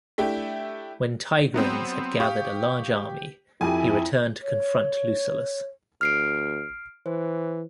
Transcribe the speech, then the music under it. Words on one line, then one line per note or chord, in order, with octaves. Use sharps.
When Tigranes had gathered a large army he returned to confront Lucullus.
A3 D4 E4 G4
F#3 B3 C4
G4 F5 C#6 D#6
F2 E4 G4 G#5
C#5
D2 F6 C7 D7
E3 C5